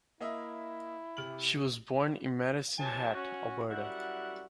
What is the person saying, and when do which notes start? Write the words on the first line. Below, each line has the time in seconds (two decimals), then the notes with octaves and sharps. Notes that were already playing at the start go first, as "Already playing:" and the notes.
She was born in Medicine Hat, Alberta.
0.21 A#3 E4 D#5 E5
1.17 C3 F6 F#7
2.77 C3 E3 F#3 G#5 A5
3.13 C#4 F#4
3.69 F#2 G3 E4 F#4 F#5